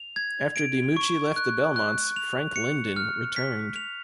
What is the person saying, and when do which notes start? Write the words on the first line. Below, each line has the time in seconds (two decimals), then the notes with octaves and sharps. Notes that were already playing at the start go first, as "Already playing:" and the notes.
After DiMucci left the Belmonts, Frank Lyndon returned.
Already playing: F7
0.16 G#6
0.56 D7
0.97 C#6
1.36 F#6
1.76 F#6
2.16 F7
2.56 C#7
2.96 F6
3.36 B6
3.76 F7